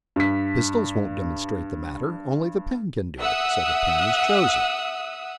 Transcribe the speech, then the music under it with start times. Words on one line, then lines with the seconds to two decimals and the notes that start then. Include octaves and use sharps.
Pistols won't demonstrate the matter; only the pen can do it, so the pen is chosen.
0.16 G2 B6
3.19 E5 F#5 D#6 E6